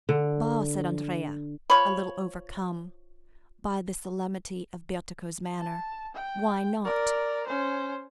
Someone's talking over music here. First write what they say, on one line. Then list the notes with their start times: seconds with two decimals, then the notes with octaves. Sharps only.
"Bah," said Andrea, a little overcome, by the solemnity of Bertuccio's manner, "why not?"
0.09 D3
1.70 F3 C#5 B5
5.60 A5
6.14 G5
6.85 A#4 D5
7.47 C#4 C5